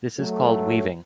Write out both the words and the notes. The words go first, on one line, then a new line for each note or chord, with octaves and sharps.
This is called Weaving.
F#3 A3